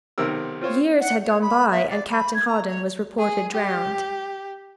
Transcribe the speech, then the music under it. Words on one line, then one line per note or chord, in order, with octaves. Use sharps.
Years had gone by and Captain Hawdon was reported drowned.
B1 C3 D#3 A#4 E6
C4 F4 C5 C#5
F#5
C#5
B5
E5
D5
B5
G#6
A#5
C#5
G#4
G4